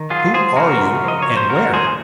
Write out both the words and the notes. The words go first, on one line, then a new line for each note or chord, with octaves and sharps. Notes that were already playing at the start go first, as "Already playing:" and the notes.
"Who are you--and where?"
Already playing: D#3
F#3 F4 G#4
G#4 C5
C#3 F#4 A#4
F3 D#5
C#5
C5
D#3 F#4 A#4
G#4 C5